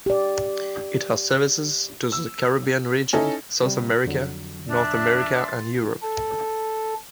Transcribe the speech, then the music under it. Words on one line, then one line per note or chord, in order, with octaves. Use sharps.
It has services to the Caribbean region, South America, North America and Europe.
G4 D5
E6
C#4 D#4 E4 A4
C3 G3
F2 D3 F#3
D4 D5 E5
C6 A6
A4